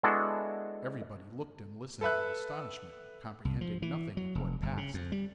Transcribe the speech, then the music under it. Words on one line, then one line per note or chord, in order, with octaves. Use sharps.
Everybody looked and listened with astonishment, comprehending nothing of what passed.
G#3 B3 D4 E4 F#4 A4
A4 B4 E5 F#6
C2
F3
E3
F#3
F1
G1
C#3
F2
G3